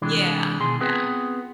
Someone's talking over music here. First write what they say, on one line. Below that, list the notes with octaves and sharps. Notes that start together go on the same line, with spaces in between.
Yeah. Yeah.
C3 E3 G#3 D4
B2 D#3 G#4 C6
B3 C4 F4 G#4 B4